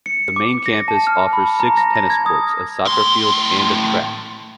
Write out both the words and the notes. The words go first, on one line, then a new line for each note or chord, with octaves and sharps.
The main campus offers six tennis courts, a soccer field and a track.
C#7
D6
A#6
A5
F6
B5
A#5
A#6
A#6
G#6
D#6
A2 C6